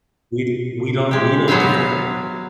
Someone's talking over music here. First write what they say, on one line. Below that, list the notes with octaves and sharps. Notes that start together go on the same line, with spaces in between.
we d we don't we don't get it.
G#3 G4
F#3 B3 C5 E5 F5